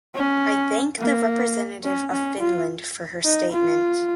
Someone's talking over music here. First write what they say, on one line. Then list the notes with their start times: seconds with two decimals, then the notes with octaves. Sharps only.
I thank the representative of Finland for her statement.
0.15 C#4
0.99 A#3
1.83 C#4
2.11 C#4
2.40 F4
3.25 D#4
3.52 F4